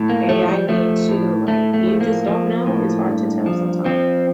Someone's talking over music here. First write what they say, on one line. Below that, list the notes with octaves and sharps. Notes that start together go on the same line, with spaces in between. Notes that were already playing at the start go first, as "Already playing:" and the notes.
AI thing, too, like, you just don't know. It's hard to tell sometimes.
Already playing: A2
A#3
F3 A3
G3
F3 A3
A2
A2 A3
A3
F3
A#3
F3
A2
G2
F3
F3 C4